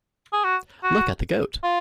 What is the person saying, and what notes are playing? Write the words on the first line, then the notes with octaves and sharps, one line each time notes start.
Look at the goat!
G#4
F#4
F#4
F4